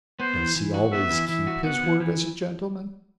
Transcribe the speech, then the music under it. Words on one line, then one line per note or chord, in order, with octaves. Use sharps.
"Does he always keep his word as a gentleman?"
B3 C5
E3
E3
F#4
B3 E5
E3
E3 E5
F#4
B3 F#5
E3
E3